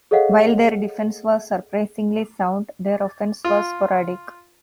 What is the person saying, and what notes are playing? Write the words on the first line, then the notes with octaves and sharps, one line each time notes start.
While their defense was surprisingly sound, their offense was sporadic.
G#4 A4 C#5 D#5 F5 F#5
F4